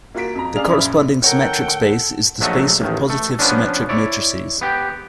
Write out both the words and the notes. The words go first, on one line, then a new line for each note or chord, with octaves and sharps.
The corresponding symmetric space is the space of positive symmetric matrices.
A#3 F4 F#4 A#4 B6 D7
F2 A#5
F#2 G#4 D5 F5 F6 F7
A#1 F#2 E5 B5
D2 A4 A#4 C#5 F#5 G5
A#1 F#3 A3 D#5 E5 F#5
A1 D#3
A3
F3 B3 C#4 D4
E4 C#5 D5
B3 G4 G5